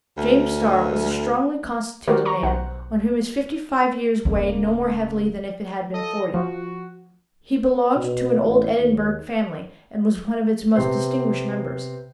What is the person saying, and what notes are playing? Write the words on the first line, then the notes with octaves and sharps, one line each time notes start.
James Starr was a strongly-constituted man, on whom his fifty-five years weighed no more heavily than if they had been forty. He belonged to an old Edinburgh family, and was one of its most distinguished members.
D2
D#3 F#4 G4 A#4 C5 D5
A#5 C#6
B1 C5 F#5
D1 C#3 A#3
F3 A4 D#5
F3 F#4
B2
A1
D#2
C3 B3 C5